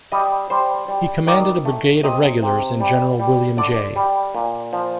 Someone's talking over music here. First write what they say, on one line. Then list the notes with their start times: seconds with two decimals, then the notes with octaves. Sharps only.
He commanded a brigade of regulars in General William J.
0.12 G3 D#5
0.50 G3 C5
0.88 G3
1.27 D#3 D5
1.65 A3
2.03 C3 D#5
2.42 C3
2.80 G3
3.20 G3
3.57 D3 D5
3.96 G3
4.35 A#2
4.73 F3